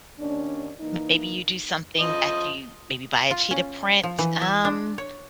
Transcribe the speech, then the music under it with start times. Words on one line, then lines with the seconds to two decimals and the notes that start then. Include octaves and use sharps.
Maybe you do something that you maybe, buy a cheetah print, um,
0.19 D#2 C#4 D4
0.81 E3 A#3 D#4
2.00 F3 D#5
3.31 F4
3.51 C#4
4.03 F3
4.19 E3
4.42 E5
4.65 D4
4.98 C#5